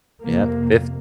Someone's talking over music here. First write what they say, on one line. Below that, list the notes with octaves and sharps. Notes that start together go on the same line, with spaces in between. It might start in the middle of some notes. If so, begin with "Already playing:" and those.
Yeah, fif
F2 C3 A#3